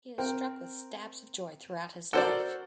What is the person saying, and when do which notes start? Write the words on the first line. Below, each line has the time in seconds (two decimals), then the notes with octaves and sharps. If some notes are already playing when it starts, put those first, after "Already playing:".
He is struck with "stabs of joy" throughout his life.
0.18 C4 A#4 G5
2.13 F#4 A4 A#4 C5 D5 F#5